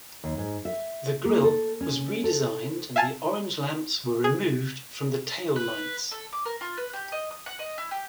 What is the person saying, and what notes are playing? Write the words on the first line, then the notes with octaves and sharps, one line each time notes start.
The grill was redesigned, and the orange lamps were removed from the taillights.
D#2
G#2
E5
A#3
A4
C#4
A4
E5 F5 G#5 A5 A6
G#4
B4
A4
D6
A#4
F4
B4
G4
D#5
D#6
F#5
D#5
E4
G4